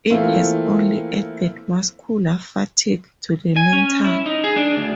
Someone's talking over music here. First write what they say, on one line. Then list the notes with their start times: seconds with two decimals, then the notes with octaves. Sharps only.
It has only added muscular fatigue to the mental.
0.10 E3 A3 A#3 C4 E4 F4
3.56 G#5
3.73 C#4
4.04 E4
4.26 D#4
4.44 G#4
4.57 D4
4.77 D2